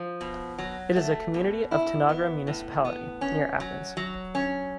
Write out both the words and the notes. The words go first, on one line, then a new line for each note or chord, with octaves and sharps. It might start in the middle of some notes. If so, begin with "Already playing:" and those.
It is a community of Tanagra municipality, near Athens.
Already playing: F3
B2
F#3
A3
B2
E4
B3
A2
B3
C#4
F#3
F#3
C#4